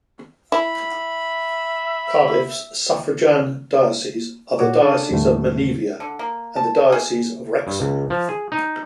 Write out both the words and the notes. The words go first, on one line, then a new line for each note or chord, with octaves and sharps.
Cardiff's suffragan dioceses are the Diocese of Menevia and the Diocese of Wrexham.
E4 E5 B5
A#2 F#4 C#5 D6
D4 A4 D5
D#2 A2 D3 E3 G3 A3
D3
A#3
A5
G#4
G2
C#2
F3
G#4
D#4